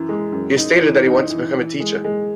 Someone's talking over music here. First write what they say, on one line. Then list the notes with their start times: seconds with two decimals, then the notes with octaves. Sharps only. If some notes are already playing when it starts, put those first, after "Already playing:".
He has stated that he wants to become a teacher.
Already playing: F#2 E3
0.09 G#3
0.32 F#2
0.57 D#4
0.82 E3
1.06 D#4
1.30 E3
1.55 E3
1.80 G#3
2.04 G#3